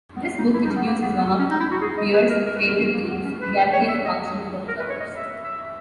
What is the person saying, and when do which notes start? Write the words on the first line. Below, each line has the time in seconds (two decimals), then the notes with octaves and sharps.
This book introduces one of Bear's favorite themes: reality as a function of observers.
0.16 B3
0.23 C#4
0.38 D#4
0.54 E4
0.65 D#4
0.71 C#4
0.76 B3
0.86 A#3
1.02 B3
1.18 B3
1.39 C#4
1.50 D#4
1.60 E4
1.71 F#4
1.82 G#4
1.98 D#5
2.14 B4
2.29 A#4
2.46 A#4
2.55 B4
2.67 A#4
2.78 C#4
2.94 A#3
3.09 B3
3.25 C#4
3.42 B4
3.73 C#5
3.88 E5
4.05 D#5
4.68 A#4
4.79 B4
4.89 C#5
5.00 D#5
5.16 E5
5.44 E5